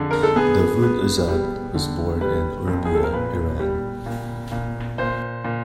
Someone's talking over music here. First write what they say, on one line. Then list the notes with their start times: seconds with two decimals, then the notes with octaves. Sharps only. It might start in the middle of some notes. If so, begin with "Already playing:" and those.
Davood Azad was born in Urmia, Iran.
Already playing: F2 D3 G#4
0.11 A#4
0.23 A4
0.36 B3 G#4
0.83 B3
1.28 G3
1.75 D3
2.21 G3 B4
2.67 F2
2.85 G#4
2.95 A4
3.04 A#4
3.13 A#2 B4
3.59 G3
4.06 A#2
4.52 A#2
4.98 A#2 C5
5.44 A#2